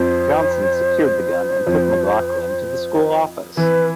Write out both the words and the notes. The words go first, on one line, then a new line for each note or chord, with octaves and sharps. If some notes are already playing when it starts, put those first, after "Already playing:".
Johnson secured the gun and took McLaughlin to the school office.
Already playing: F2 F3 C5
F2 F3
E3 B4